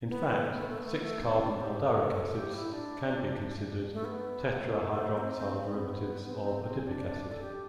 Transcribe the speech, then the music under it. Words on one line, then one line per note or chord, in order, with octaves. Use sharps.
In fact, six-carbon aldaric acids can be considered tetrahydroxyl derivatives of adipic acid.
B3
A3
B3
A3
B3
A3
B3
A3
B3
A3
C4
D4
G4
A4
G4
E4
D4
A3
B3
A3
C4
C4
C4
B3
C4
D4
A4
G4